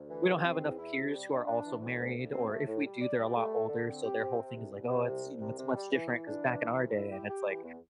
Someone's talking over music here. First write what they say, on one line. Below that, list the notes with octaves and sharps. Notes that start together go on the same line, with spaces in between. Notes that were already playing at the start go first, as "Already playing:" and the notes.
we don't have enough peers who are also married or if we do, they're a lot older, so their whole thing is, like, "Oh, it's, you know, it's much different 'cause back in our day" And it's like,
Already playing: D2
E3
C3
C4
E2
E4
C3
G3
D4
D4
E3
D2
D2
D2
C4
A3
A2
G3
D5
G3
A3
A4
D3
C4
G4
C4
C3
C2
C2
C3
C2
C2
C3
C3
G3
E3
E3
D4
E3
E3
C2
E4
G4
G4
E3
E2